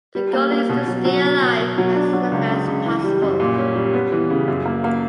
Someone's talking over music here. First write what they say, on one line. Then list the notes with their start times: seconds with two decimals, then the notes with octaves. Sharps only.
The goal is to stay alive as long as possible.
0.15 G3
0.33 A#3
0.51 A#3
0.69 B2
0.88 F#3
1.05 F#3
1.23 B2
1.42 B2
1.59 B2
1.78 F#3
1.95 D4
2.13 F#3
2.32 C#2
2.50 C#3
2.68 C#2
2.85 E3
3.04 G3
3.22 F#2
3.40 A#2
3.58 C#4
3.76 G3
3.94 B3
4.12 E3
4.30 C#3
4.48 F#2
4.66 A#3
4.84 A#3